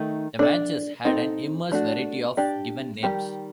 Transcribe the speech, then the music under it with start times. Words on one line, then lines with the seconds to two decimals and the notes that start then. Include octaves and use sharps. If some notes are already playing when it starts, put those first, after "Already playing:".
The Manchus had an immense variety of given names.
Already playing: D#3 A3 D#4
0.39 D4 A4 D5
1.05 C4 D#4 A4
1.72 A3 D4 F#4
2.37 D4 G4 D5
3.03 D#3 G3 C4 G4